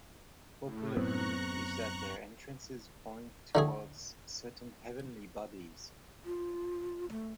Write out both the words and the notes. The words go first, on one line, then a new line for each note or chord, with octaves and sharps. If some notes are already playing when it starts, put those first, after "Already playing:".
Popular belief is that their entrances point towards certain heavenly bodies.
A2
F#2 B3 C4 A#5 C#6 F#6
D3 A3 G#4
F4
A3